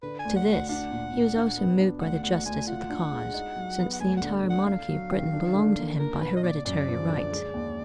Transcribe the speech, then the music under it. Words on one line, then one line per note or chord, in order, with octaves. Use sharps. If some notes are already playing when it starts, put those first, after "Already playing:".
To this he was also moved by the justice of the cause, since the entire monarchy of Britain belonged to him by hereditary right.
D3 B4
G#5
D2
F#5
D2
F#5
D4 F#5
A#2
A#2
D4
B3
D4
D2 F#5
D2 F#5
D2 G#5
F4 F#5
D4
G#3
D#4
F#3
B3
F#5
D2 G#5
F#5
D3
D3
F#5
D4 F5
F#3
D#3
D4
D3
A#3
D4 A#4
A#2 B4
D#5
A#2 D5
F#2 D5
F3
D3
G#3
D#2